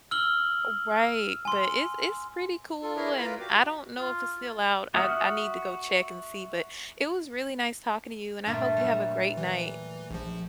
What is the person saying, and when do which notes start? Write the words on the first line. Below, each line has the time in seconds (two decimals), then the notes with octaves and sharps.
Oh, right, but it's it's pretty cool, and I don't know if it's still out, I I need to go check and see, but it was really nice talking to you, and I hope you have a great night.
0.11 E6 F6 F#7 G7
1.45 G#5 C6
2.83 F4 A4
2.96 E4 G#4 A#4 B4 C#5
3.17 F4 A#4 B4 D5 F5
3.40 F#4 G4 D6
3.99 F4
4.94 F#4 E5 F#5 D#6 F6
8.46 G2 A#2 A3
8.77 F#3 G3
9.37 E3
10.11 A#1 F3